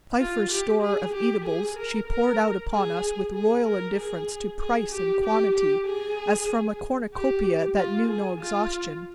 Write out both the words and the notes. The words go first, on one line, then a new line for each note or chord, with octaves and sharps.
Cypher's store of eatables she poured out upon us with royal indifference to price and quantity, as from a cornucopia that knew no exhaustion.
F4
G4
G#4
G4
G#4
A#4
A#4
G#4
G#4
A#4
G#4
G#4
G4
G4
G4
G#4
G4
F4
G#4
F4